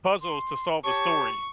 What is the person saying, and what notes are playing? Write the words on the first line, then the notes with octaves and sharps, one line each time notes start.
puzzles to solve the story.
C6
G4 C#5 A5 C#6